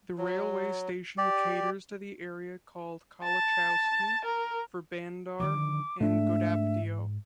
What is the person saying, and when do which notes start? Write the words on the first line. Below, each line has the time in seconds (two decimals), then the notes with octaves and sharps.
The railway station caters to the area called Kalachowki, Ferbandar and Ghodapdeo.
0.18 F#3
1.18 G4 D5
3.23 A5
4.25 A#4
5.40 D3 D#3 F3 D6
6.01 G#2 A3 D4 E5